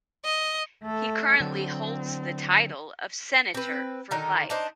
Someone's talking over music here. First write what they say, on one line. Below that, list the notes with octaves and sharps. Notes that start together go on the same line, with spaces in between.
He currently holds the title of Senator for life.
D#5
A3 A4
D3 F#3 C4
C4 B4
D3 D#3 D#4
D4 D#4 C5